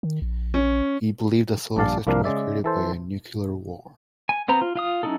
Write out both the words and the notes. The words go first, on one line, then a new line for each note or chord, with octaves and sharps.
He believed that the solar system was created by a nuclear war.
D#3
A#1
C#4
A#1 G2 D4 D5 F5 A5
C2 F3 A#3 D4 A#4 F5
C#3 G#3 D5 E5
E3 A4 C5
G#5
B3 C4 C5 A#5
F4
F4 F5 D#6
F#3 C#4 D#4 E4 A4